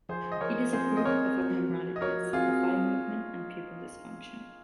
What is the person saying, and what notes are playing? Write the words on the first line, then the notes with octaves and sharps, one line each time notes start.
It is a group of abnormalities of eye movement and pupil dysfunction.
F3 G#4 C5
D#5
F3 A#4 C#5
C4 G#4 C5
D#5
C4 A#4 C#5
F#4
F3
D#5
F#4 A#4 C#5
C4 F4 G#4